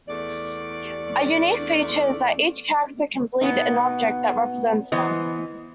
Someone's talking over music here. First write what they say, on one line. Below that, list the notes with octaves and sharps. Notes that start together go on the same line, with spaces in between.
A unique feature is that each character can "bleed" an object that represents them.
E2 A3 D5
B2 B3 D#4
E3 B3 C5 D#5